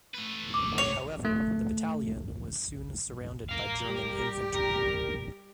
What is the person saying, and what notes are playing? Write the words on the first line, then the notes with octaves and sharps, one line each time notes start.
However, the battalion was soon surrounded by German infantry.
A3 B4
D6
C#5
A3
A#4 F5
G3 G4
A#4